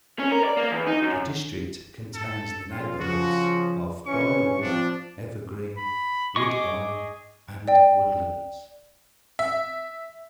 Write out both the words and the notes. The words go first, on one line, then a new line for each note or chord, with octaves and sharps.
The district contains the neighbourhoods of Bridlewood, Evergreen, Woodbine, and Woodlands.
C#4
A#4
D5
A#3
E2
D#4
F#2
A4
F2 C#3 F4
C#3 F3 F#4
D3 E3 C#4 C#6
F3 C4 D4
B5
G#4 D#5 C#6 D6
D5 G5
E5